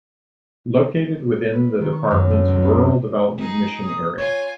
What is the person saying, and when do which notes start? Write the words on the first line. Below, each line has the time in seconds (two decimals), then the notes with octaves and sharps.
Located within the Department's Rural Development mission area.
1.53 B4
1.81 D#3
1.93 C#6
2.11 F#2
2.31 A3
2.48 C#2
2.62 B3
3.38 D#4 G#4
3.83 D#6
4.18 F4 C#5 G#5 G#6